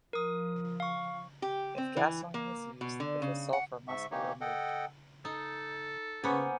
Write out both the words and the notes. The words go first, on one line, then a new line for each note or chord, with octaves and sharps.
If gasoline is used, the sulfur must be removed.
F3 A#4 D#6
F5 C#6
G4
C4
E3
A#3
B2
D3
C#3
F#5
G#2 E5 C#6
E3 A#3 D#4 G4 C#5
A4 D#5 F#5 G5
D#4 A4
C#3 A#3 B3 B4 C5 F#5 G#5 C#6